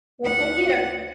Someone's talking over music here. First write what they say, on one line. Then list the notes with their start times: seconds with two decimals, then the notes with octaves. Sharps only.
Well, thank you,
0.24 D2 F#5